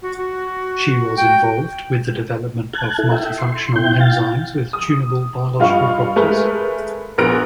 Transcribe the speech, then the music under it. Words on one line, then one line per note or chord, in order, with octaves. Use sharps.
She was involved with the development of multifunctional enzymes with tuneable biological properties.
F#4
F#4
G5
A5 F#6 G#6
E4 A4
E5 G5
C6
B2 E4 G5 G6
F5 G5 A6
D#6
G2 F4 D#5 F5 C#6
G#3 A3 A#4 B4
A#1 B3 A#4 F#6 A#6 D7